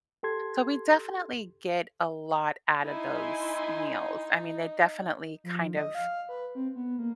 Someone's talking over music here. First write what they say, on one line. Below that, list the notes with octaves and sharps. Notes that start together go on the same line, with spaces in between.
So we definitely get a lot out of those meals. I mean, they definitely kind of
G4 A4 C6 G#6
D#4 E4 G#5 C6
F3
D#5
F5
B4
C4
B3
A#3